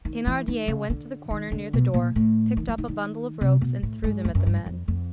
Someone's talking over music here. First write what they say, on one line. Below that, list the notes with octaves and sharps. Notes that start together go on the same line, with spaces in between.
Thenardier went to the corner near the door, picked up a bundle of ropes and threw them at the men.
D#3
E3
D#3
C#3
D3
D#3
D3
B2
A#2
A2
D#3
E3
D#3
D#3
C3
B2
A2
G#2
F#2
F#2
G2
F#2
F2
F2